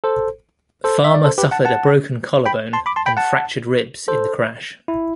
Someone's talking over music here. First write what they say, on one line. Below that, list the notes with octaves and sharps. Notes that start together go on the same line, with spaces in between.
Farmer suffered a broken collarbone and fractured ribs in the crash.
A4 C5
A4 C5
E5
D5
A4 C5
G4 B4
F#5 A5
F#5 A5
G5 B5
A5 C6
B5 D6
A5 C6
G5 B5
F#5 A5
A4 C5
E4